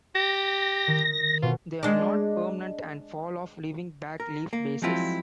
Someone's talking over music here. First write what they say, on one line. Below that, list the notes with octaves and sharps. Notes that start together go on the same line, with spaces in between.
They are not permanent and fall off leaving back leaf-bases.
G4 A#6
D#3
B2 F4
G#3 D4
A#4
A#3
F3 F#3 G#3 C4 E4 F4